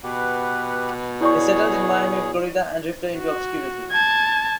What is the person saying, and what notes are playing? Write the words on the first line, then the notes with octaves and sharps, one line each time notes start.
He settled in Miami, Florida and drifted into obscurity.
B2 G4 B4 F#5
E4 G#4 C#5 D5 C#6
F#4
A5 G#6